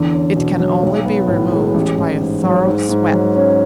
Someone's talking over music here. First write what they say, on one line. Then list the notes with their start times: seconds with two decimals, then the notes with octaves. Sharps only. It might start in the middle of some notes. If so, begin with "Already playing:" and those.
It can only be removed by a thorough sweat.
Already playing: E2 D3
0.13 C#4
0.36 B2
0.60 F#3
0.83 B1
1.05 B3
1.28 A2
1.52 G#3
1.74 A1
1.98 A1
2.20 G#2
2.44 F#3
2.67 G#2
2.89 G#2
3.13 F#3
3.36 C#4